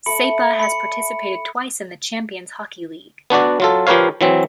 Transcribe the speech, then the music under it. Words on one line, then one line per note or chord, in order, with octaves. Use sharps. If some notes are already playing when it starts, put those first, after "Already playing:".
Saipa has participated twice in the Champions Hockey League.
A3 E5 B5 C#7
B5 C#7
B3 D4 F#4 D5
F#3 F4 A4
F3 G4 A#4 B4 C#5 F5
E3 F#3 C4